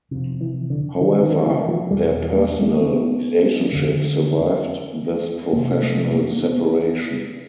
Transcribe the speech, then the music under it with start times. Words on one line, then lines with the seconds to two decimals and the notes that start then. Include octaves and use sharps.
However, their personal relationship survived this professional separation.
0.11 F2 C3
0.41 E3
0.70 D3
1.01 D#3
1.23 D#3
1.46 E3
1.68 F3
1.91 E2 B2 G3
2.36 A#3
2.59 G#3
2.82 B3
3.72 F2 D3
5.52 F2 C3 A#3
5.82 A3
6.12 A#3
6.32 A#3
6.43 B3